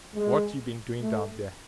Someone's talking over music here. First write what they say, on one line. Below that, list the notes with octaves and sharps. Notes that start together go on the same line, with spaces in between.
"What you been doing down there?"
G#3
A3